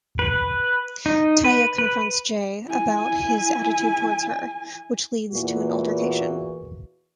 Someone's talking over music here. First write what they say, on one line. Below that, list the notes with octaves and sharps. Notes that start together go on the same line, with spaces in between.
Tia confronts Jai about his attitude towards her, which leads to an altercation.
B4
D#4
B4
B4
E4 G#5
E2 A#2 E3 A#3 F#4